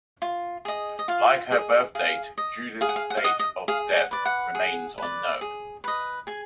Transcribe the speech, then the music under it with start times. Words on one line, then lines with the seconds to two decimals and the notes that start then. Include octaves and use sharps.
Like her birth date, Judith's date of death remains unknown.
0.22 F4
0.65 G#4 D#5
0.99 D#5
1.08 F4 F5
1.51 G#4 D#5
1.95 G#4 F5
2.38 D#5
2.81 G#4 F5
2.89 F#5
2.96 F5
3.10 F#5
3.17 F5
3.24 D#5 F#5
3.39 D#5
3.68 G#4 F5
3.97 F#5
4.11 B4 D5
4.25 F#5
4.55 G#4
4.98 B4 D5
5.41 G#4
5.84 B4 D#5
6.27 G#4 G#5